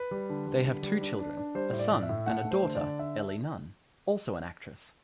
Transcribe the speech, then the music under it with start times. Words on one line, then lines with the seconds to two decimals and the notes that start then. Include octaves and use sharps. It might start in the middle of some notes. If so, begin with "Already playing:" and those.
They have two children: a son and a daughter Ellie Nunn also an actress.
Already playing: B4
0.11 G3
0.30 D3
0.47 G3
0.65 D3
0.83 G3
1.01 D4
1.19 D4
1.37 D4
1.55 G3 C5
1.73 A2
1.79 D5
1.91 A2
2.03 E5
2.09 A2
2.26 A3 F#5
2.45 A3
2.51 C5
2.63 D3
2.75 D5
2.81 D3
2.99 D4 E5